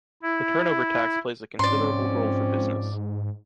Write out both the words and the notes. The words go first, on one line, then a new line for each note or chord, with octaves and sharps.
The turnover tax plays a considerable role for business.
E4
G#2 F3 C4 C#4 D5 C6